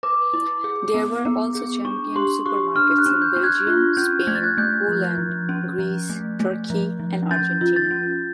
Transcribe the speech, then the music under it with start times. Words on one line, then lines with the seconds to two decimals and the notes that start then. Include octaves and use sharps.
There were also Champion supermarkets in Belgium, Spain, Poland, Greece, Turkey and Argentina.
0.03 B4 D6
0.34 E4
0.64 G#4
0.94 B3
1.25 B3
1.55 G#4
1.85 D4 C#6
2.16 G4 C6
2.46 G4 C#6
2.75 D4 F6
2.98 F#6
3.06 D4
3.22 G6
3.36 D4
3.44 F#6 G#6
3.67 F4 F#6
3.97 C#4 G6
4.27 A3 G#6
4.35 A6
4.43 F#6 G#6
4.58 A3 G6
4.89 F3
5.18 F3
5.49 C#4
5.79 F3
6.10 A3
6.40 A3
6.70 F3
7.00 F3
7.31 C#4 G6 A6
7.61 F4
7.76 G6 A6
7.91 C#4